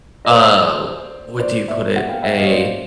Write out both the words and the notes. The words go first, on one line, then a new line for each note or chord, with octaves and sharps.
uh, what do you put it? A
D#5
C5 D5
C5 D5
D5 E5
E5 F#5
F5 G5
E5 F#5
D#5 F5
C#5
C5 D5